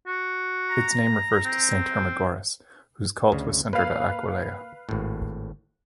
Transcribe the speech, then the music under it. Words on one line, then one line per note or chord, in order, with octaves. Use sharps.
Its name refers to Saint Hermagoras, whose cult was centered at Aquileia.
F#4
A#5
C4
D2 C#3
A#3 B4 F5
G#1 A2